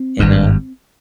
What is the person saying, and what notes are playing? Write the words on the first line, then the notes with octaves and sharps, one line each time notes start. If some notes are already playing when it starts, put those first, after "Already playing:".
You know?
Already playing: C4
G#1 G2